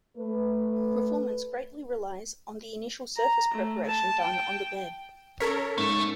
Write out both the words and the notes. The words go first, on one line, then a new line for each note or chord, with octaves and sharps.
Performance greatly relies on the initial surface preparation done on the bed.
A3 B4
A#5
A3
A5
G5
C#4 A4 A#4 C#5 B6
G#2 A3 E7